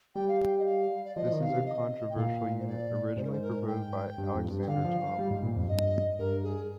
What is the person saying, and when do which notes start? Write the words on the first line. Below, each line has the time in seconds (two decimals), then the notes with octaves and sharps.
This is a controversial unit originally proposed by Alexander Thom.
0.15 G3 G5
0.28 F5
0.41 G5
0.59 D#5
0.66 F5
1.05 D5
1.16 F3 D#5
1.26 F3
1.33 D#3
1.41 F5
1.49 C3
1.62 F5
1.66 D#5
1.91 D#5
2.09 G5
2.16 A#2 F5
2.60 C5
2.67 D5
3.17 G#2 C5
3.24 A#4
3.32 C5
3.42 A#4
3.67 G5
4.18 G2
4.35 F2
4.50 G2
4.62 G5
4.67 D3 F5
4.84 F3
5.19 G3
5.31 G#2
5.43 A#2
5.56 F2
5.68 G2 D#5
6.19 G2 A#4
6.43 G#4